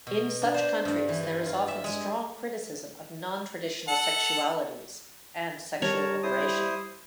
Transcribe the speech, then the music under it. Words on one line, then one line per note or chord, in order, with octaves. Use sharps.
In such countries there is often strong criticism of non-traditional sexualities and sexual liberation.
B2
D4
C5
G2
E3
E3
F4
E5
G#3
A4 F#5
G3 A#4 C#5 A5 A#5
E4 C5 D#6